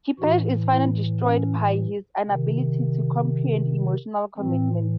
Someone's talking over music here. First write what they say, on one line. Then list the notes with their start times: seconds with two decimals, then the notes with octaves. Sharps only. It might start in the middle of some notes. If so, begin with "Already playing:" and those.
Kepesh is finally destroyed by his inability to comprehend emotional commitment.
0.19 A2 E3 F#4
0.71 E4
1.23 C#4
2.28 C3 D#3
4.37 A2 E3 C4